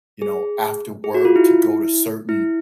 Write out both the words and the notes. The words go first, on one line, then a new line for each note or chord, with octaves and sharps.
you know, after work to go to certain
G#4
G#4
F#4
F4
E4
E4